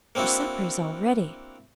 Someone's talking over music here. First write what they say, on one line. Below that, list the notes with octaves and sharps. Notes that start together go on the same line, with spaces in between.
Your supper is all ready.
A#3 C4 D4 E4 F#4